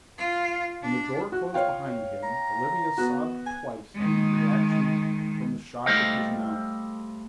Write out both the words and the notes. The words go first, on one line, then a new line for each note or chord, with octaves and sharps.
When the door closed behind him Olivia sobbed twice in the reaction from the shock of his announcement.
F4
D4
E4 F#4
F4 C#5 F5 G5
A#5
B3 F#4
G#5
D#3 G#3
G3 A3 A4 C5 D#5 F5